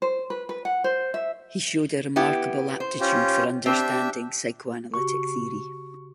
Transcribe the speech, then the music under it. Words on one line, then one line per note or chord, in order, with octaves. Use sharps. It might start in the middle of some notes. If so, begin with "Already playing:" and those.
He showed a remarkable aptitude for understanding Psychoanalytic theory.
C5
B4
B4
F#5
C5
E5
B3 E4 G4
C5
C#4 F4 G4
C4 D4 G4 E5
C#3 F#4 G4 C#6